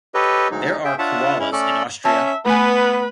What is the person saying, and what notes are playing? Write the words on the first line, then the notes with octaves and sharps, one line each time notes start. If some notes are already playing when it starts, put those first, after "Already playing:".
There are koalas in Austria.
G4 A4 B4 C#5 D#5
D2 F#3 G#3 D#4
G#4 E5 G5
D4 F4 C#5 E5 F#5 A5
G#3 C#4 E4
A3 C#4 A4 D5
C#4 E5 A5
A3 B3 B4 G#5